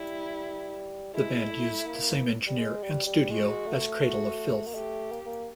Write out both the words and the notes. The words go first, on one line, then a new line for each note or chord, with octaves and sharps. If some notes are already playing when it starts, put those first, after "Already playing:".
The band used the same engineer and studio as Cradle of Filth.
Already playing: G3 E4
G#3 E4
A3
A#3
G3
G#3
G3
G3
G#3 F#4
A3
F#4
A#3
A3 G4
A#3
A#3